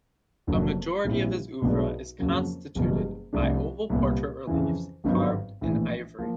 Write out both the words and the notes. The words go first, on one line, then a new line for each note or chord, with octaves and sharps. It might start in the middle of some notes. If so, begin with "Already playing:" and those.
A majority of his oeuvre is constituted by oval portrait reliefs carved in ivory.
F1 F2 D3 F#3 A#3
A#1 A#2 G3 C4 E4
B1 B2 G#3 B3 D4
F2 C#3 F#3 A#3
F#1 E2 B2 G3
C2 C3 F3 A3 D4
C2 A#2 G3 B3
F2 C#3 E3
G#1 G2 D#3 F#3 B3
A#1 A2 E3
F3 A#3